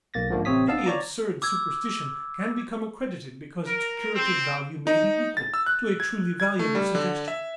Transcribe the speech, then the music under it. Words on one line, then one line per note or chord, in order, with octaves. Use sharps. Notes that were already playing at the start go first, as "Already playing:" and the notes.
Any absurd superstition can become accredited because its curative value may be equal to a truly valuable suggestion.
B1 A#3 A6 A#6
G#2 D3 F3 A3 A#3
A1 C3 C4 C#5 D#6 B6
B3 F5 A5 E6
C#5 D5 A#5
D6 E6 G#6
A#4
C4
D#4
A6
E6
F#6
G#6
G#6
A3
G3
D3
E5